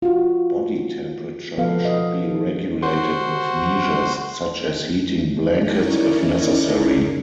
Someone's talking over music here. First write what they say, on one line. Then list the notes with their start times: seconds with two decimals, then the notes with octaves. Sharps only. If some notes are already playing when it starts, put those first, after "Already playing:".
Body temperature should be regulated with measures such as heating blankets if necessary.
0.02 F4 F#4
1.58 F3 B3 A4 B4 F5
1.85 D#5
2.82 F#4 C5
5.61 C#4 D#4 E4 A#4 C#5 D5